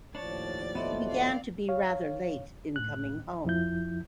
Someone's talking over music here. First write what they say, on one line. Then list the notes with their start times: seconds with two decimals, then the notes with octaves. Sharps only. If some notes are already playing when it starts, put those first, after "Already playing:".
He began to be rather late in coming home.
0.15 D#2 A2 F3 D4 C#5 D5 A6
0.75 B3 F#4 A4 D#5 E5 C6
1.06 D5 F5
1.69 C#5 F5
2.76 A2 F#6
3.45 F2 F3 E4 G6